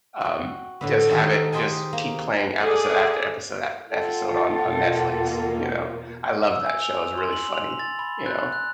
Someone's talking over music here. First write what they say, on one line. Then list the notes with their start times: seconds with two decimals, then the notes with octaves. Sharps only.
Um, just have it just keep playing episode after episode after episode on on Netflix, you know. I love that show. It's really funny, you know.
0.21 F#4 G5
0.81 A2 D3 B3
1.10 D#3 A3 G4 A4 A#4
1.52 G4 G#4 C5 D#5 G5 G#5
1.93 A#3
2.61 G#4 A4 D5
3.90 F4 A4 F#5 G5
4.63 E2 B2 A#3
6.51 E6
6.66 G#5
6.82 F7
7.18 C6
7.33 F#7
7.54 F7
7.79 A6
7.99 B5
8.26 F#6
8.52 F#6